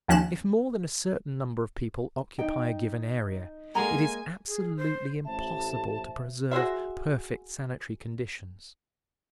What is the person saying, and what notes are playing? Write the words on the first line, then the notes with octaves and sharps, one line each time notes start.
If more than a certain number of people occupy a given area, it is absolutely impossible to preserve perfect sanitary conditions.
D#2 F3 C#4 F#6 E7
D#4 G5
G#3 A#3 A4 D#5 F#5 G#5 A#5
G#4
C5
A1 C5 E5 A5
F#4 G#4 C5 E5